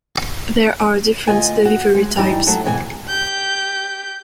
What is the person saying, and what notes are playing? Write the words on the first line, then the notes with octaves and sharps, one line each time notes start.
There are different delivery types.
D2 F4 D#5 G#5
F#4
G#3
G2 E3 G3 D#4
F2 F#3 A3 A5
F2 G#2 B2 E3 B4 G#5
G4 G6